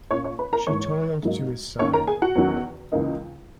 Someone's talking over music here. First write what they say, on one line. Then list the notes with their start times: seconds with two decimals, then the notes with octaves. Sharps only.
She toiled to his side.
0.11 A#2 A#3 C#4 C#5 C#6
0.24 C#5 C#6
0.39 B4 B5
0.53 A#4 A#5
0.66 G#2 E3 A#3 C#5 C#6
1.23 G#2 F#3 A#3 D#4
1.79 D#2 D#3 A#3 C#4 C#5 C#6
1.93 A#4 A#5
2.07 G#4 G#5
2.22 F#4 F#5
2.35 E2 D#3 F#3 C#4
2.92 C#2 C#3 E3 A#3 D#4